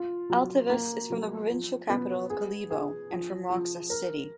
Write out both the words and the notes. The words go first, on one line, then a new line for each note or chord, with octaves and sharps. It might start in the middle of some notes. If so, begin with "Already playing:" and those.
Altavas is from the provincial capital of Kalibo and from Roxas City.
Already playing: F4
F#3
A#3
F#3
F3
B3
G#4
G#4
F3
F3
A#4